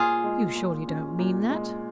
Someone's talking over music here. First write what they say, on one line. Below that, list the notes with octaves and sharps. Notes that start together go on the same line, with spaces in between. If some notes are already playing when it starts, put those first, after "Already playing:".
"You surely don't mean that?"
Already playing: A#2 F4 G#4
G#3
A#2
C#4
A#2
G#3